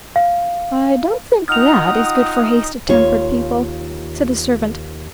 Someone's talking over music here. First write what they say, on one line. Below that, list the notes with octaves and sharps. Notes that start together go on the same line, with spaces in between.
"I don't think that is good for hasty-tempered people," said the servant.
F5
D#4 F4 F#5 G5 D#6 F6 F7
D#2 F4 C#5